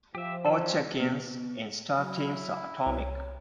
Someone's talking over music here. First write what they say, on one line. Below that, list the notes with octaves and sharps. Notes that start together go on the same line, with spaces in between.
All check-ins in StarTeam are atomic.
F3 G4 E5
C#4 F4 A4
B2
F#3 E4
C2 C#5